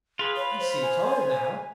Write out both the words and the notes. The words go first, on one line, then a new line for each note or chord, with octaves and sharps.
I see it all now.
F4 G#4 B4
C#5 B5
C5
G#5